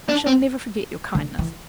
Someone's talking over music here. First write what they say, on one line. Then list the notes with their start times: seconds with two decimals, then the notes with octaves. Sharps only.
I shall never forget your kindness.
0.09 D4
0.27 C4
1.15 D3
1.39 E3